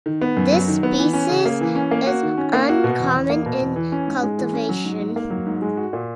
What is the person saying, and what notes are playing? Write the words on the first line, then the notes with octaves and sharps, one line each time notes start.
This species is uncommon in cultivation.
D#3
B3
F#2
F#3
D#3
B3
E3
C#4
C#3
A#3
E3
C#4
A#3
F#4
D#3
C#4
A#3
F#4
B2
E2
E2
A#3
B2
E2
E3
C#4
G#2
G#3
E3
C#4
F#3
G#2
G#2
A#3
F#3
G#2
G#3
F#4
A#2